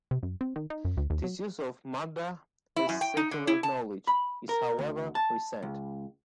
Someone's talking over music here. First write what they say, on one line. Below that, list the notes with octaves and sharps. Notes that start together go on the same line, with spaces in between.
This use of "Madda" as "secular knowledge" is, however, recent.
C3
F#2
C4
D#3
D#4
F#2
D2
D#2
F#3
E4
F#2
G5
D#4
D3
E4
A5
B5
A#4
D2
A5
C#2